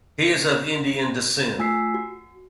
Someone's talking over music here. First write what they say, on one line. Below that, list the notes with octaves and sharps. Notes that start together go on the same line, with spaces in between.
He is of Indian descent.
A3 F4 G#5 E6 B6 C7
F#4